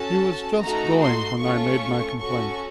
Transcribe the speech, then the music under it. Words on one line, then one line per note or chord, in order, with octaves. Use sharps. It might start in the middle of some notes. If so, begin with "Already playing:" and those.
He was just going when I made my complaint.
Already playing: C#4 F#4 A4 A5
A3 D#4 F#4 A4 A#5
C6
A3 C#4 F4 A4 C#6
C#4 F#4 A4 C#6